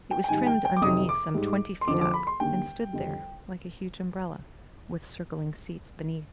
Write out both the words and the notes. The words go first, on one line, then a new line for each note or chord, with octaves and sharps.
It was trimmed underneath some twenty feet up, and stood there like a huge umbrella, with circling seats beneath.
G5
G5
G#2 D#3 G3 G#5
G5
G5
D6
F2 C3 D#3 D#6
D6
G#2 G3
C6
F2 D3 F3 D6
D6
B5
C6
D#2 D3 G3 G5
F2 D3 G3